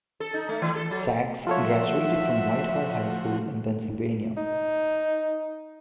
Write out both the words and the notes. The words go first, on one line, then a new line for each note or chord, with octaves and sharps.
Sags graduated from Whitehall High School in Pennsylvania.
A4
D#4
A3
E3
A4
F#3
F3 F4 F#4 A4 C#5 E5
D#4